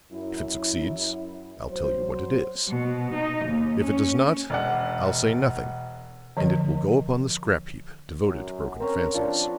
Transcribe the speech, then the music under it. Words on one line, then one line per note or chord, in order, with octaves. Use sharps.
If it succeeds, I'll tell you what it is; if it does not, I'll say nothing, and it will go upon the scrap heap devoted to broken fancies.
F#2 E4
F#3 C5
B2
D#4
D#2
C#4
E1 D5 F#5
D3 F3 D#5
F#2
C4 C#4 A#4
F3 D4 F#5